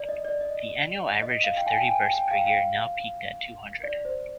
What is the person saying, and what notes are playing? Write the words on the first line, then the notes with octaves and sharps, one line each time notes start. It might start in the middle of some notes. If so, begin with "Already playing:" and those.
The annual average of thirty births per year now peaked at two hundred.
Already playing: D5
D#5
D5
D#5
D#5
F5
G5
G#5
G5
G#5
G5
F5
G5
F5
D5
C5